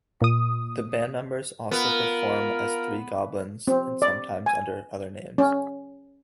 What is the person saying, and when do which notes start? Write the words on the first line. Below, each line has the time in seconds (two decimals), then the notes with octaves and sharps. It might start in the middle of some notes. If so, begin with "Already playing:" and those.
The band members also perform as Thee Goblins and sometimes under other names.
0.22 A#2 D#6
1.71 B3 F4 A#4
3.68 C4
4.02 D5
4.46 G#5
5.38 C#4